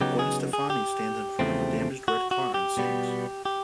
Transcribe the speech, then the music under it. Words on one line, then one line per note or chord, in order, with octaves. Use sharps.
Gwen Stefani stands in front of a damaged red car and sings.
C#3 F#3 B3 D#4 G4
G#4
G#4
G4
E2 C#3 F3 A3 C4
F#4
F#4
G4
B2 G3 B3
G4